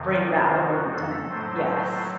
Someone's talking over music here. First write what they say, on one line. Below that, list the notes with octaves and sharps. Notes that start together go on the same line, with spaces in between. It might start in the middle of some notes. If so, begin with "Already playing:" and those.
bring that alone time. Yes.
Already playing: F2 C3 D#3
F4
F#4
A4
A2 F#3 A3 C5
C5